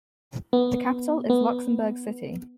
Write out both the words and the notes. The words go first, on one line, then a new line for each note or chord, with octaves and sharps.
The capital is Luxembourg City.
B3
B3